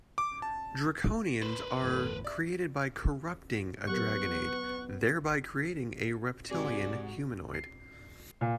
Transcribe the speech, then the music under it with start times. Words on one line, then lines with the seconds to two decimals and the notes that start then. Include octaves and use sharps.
Draconians are created by corrupting a dragon egg, thereby creating a reptilian humanoid.
0.18 D6
0.42 A5
1.42 B4 C5
1.82 G1 E2 A2 E3 A4
2.25 D5 E5
3.88 F#3 B3 G4 A#4 F#5 C#6
6.51 G#2 C3 F#4 G#4 D5
7.54 C7
8.41 A#2